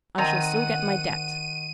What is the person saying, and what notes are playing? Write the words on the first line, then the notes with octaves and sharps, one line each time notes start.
I shall still get my debt.'
C3 D#3 F#5 A#5 D#7